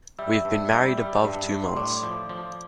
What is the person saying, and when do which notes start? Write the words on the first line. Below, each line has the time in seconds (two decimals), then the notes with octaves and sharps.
We have been married above two months.
0.19 G3 E5 E6
0.45 G2
0.71 G3
0.98 G3
1.24 G2
1.51 G2
1.68 C6
1.77 A2 D5 D6
2.03 F3
2.29 F3